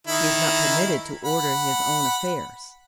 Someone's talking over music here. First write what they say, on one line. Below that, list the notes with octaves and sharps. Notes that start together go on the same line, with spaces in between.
He is not permitted to order his own affairs.
D#3 D#4 E4
F#5 B5